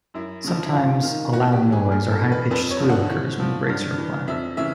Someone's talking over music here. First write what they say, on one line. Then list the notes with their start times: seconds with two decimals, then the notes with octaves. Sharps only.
Sometimes a loud noise or high pitched squeal occurs when the brakes are applied.
0.14 F#2 E4
0.44 C#3 F3
0.66 E4
0.73 G#2 F4
1.03 D#3
1.32 A2 F#4
1.52 G4
1.62 E3
1.72 G#4
1.91 G2 G#4
2.11 A4
2.21 E3
2.32 B4
2.51 F2 B4
2.70 C#5
2.80 D3 F3
2.89 F#5
3.09 A2
3.40 F3
3.69 G2
3.98 E3
4.27 F2 E5
4.57 C#3 E3 E5